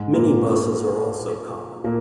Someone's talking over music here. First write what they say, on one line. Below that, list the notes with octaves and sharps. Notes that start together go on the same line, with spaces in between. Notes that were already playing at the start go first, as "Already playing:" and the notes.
Mini-buses are also common.
Already playing: G#2 G#3
A#2 A#3
A#2 A#3